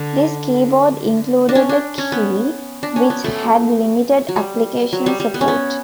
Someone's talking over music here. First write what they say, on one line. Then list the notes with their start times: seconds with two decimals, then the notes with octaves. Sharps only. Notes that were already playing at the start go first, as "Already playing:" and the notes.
This keyboard included a key which had limited application support.
Already playing: D3
1.49 D4
1.55 C#4
1.69 D4
1.98 C#4
2.12 B3
2.83 D4
2.96 C#4
3.10 B3
3.24 A3
4.29 F#3
4.36 G3
4.93 F#3
5.06 G3
5.20 G3
5.34 B3
5.41 C#4
5.48 B3